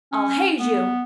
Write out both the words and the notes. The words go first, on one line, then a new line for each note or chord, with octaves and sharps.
I'll haze you!
C#4
B3